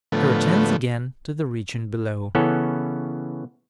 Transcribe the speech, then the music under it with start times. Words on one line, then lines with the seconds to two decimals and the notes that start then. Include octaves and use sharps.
He returns again to the region below.
0.12 A2 D3 F3 A3 B3
2.35 C#3 E3 B3 C#4 A4